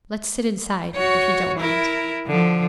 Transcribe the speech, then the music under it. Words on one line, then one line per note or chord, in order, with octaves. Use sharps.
Let's sit inside, if you don't mind.'
F#4 C#5
E4 A#4
D3 F3